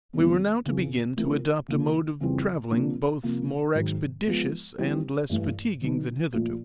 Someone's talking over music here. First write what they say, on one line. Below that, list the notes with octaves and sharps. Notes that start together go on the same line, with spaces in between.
We were now to begin to adopt a mode of travelling both more expeditious and less fatiguing than hitherto.
E2 C3 D#3 G3 B3
F2 C#3 E3
E3 A3 C4 F4 A#4
C#3 F3 A#3
F2 C#3 E3 G3 C4
C3 F3 A#3 D4
C3 F3 A#3
G#2 D#3 F#3
F3 G#3 B3
E3 G3 C4 E4 G4
G2 E3 A3
D3 F#3 B3 D#4
A#2 F3 A3